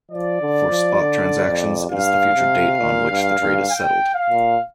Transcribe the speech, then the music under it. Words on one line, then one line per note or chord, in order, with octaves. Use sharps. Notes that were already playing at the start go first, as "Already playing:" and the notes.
For spot transactions it is the future date on which the trade is settled.
F3 D5
D3
F3
D3
F2
G2 F5
C3
A#2
G2
G2
G5
F5
A#2